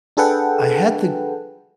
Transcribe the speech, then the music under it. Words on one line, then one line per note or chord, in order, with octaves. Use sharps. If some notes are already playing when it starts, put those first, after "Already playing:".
I had the
D4 G#4 A4 B4 F#5 G5